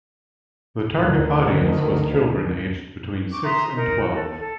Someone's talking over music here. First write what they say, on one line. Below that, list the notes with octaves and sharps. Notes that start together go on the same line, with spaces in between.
The target audience was children aged between six and twelve.
D2 D3 D#3
C#6 D6
E5 A#5 C6 D#6
D#4 A#4
F#4
A4
A4